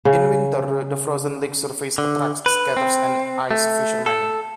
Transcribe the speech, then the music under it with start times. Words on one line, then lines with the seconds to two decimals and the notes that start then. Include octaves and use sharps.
In winter, the frozen lake surface attracts skaters and ice-fishermen.
0.05 C#3
1.98 D3
2.46 B4
2.77 C4
3.51 A3
4.06 A4